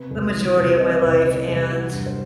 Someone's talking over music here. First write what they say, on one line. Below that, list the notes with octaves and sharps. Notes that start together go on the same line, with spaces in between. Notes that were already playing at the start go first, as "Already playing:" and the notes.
the majority of my life, and
Already playing: C3 B4
C2
E3
C2
C3 D#5
C2 D#5
C5
E3 D#5
C2
F#3
G2
C5